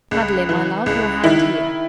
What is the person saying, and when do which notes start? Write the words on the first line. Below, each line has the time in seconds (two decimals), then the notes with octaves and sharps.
Madeline, my love, your hand here.'
0.11 C#2
0.49 E3
0.86 C#2
1.24 D#3 E4